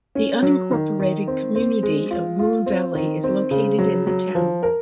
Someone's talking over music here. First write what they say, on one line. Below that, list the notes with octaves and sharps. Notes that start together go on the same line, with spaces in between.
The unincorporated community of Moon Valley is located in the town.
C#4
F#3
D#3
D#3
C4
C4
G#3
F4
F4
C4
D#3
C4
C#3
F#3
F#3
F3
A#4